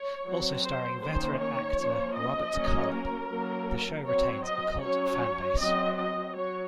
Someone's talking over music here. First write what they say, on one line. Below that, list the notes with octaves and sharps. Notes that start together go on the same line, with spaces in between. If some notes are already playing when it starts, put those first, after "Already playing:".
Also starring veteran actor Robert Culp, the show retains a cult fanbase.
Already playing: C#5
F#3 C4
C5
D#3 A#3 C#4 C5
C#5
F3 A#3 C#4
D#5
F#3 A#3 C#4
A#4
F#3 A#3 C#4
F#3 C4 C#5
D#5
F#3 C#4 C#5
F#3 C4 D#5
D#5
F#3 C#5